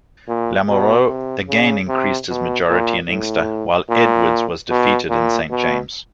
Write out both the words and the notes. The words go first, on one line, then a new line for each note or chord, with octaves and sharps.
Lamoureux again increased his majority in Inkster, while Edwards was defeated in Saint James.
A#2
B2
C3
C#3
C3
B2
A#2
A2
A#2
B2
A#2
B2